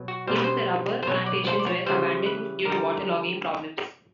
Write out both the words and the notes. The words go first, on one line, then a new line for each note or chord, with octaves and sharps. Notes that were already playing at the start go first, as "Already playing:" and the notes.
Even the rubber plantations were abandoned due to water logging problems.
Already playing: B2 F#3
F#4
B2 G3 C5
B4
C5
C5
B2 F#3 C#5
D5
C5
D5
C#5
C#3 E3 G3 C5
B4
D3 G3 A#4